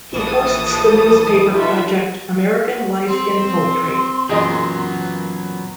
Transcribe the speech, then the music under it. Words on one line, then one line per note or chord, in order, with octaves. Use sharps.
He hosts the newspaper project American Life in Poetry.
A#1 E3 A4 A5 D#6
D#4 F4 F#4 A4 B4 E5
C4 C6
F#2 A#2 E3 F#3 B3 G#4 D#5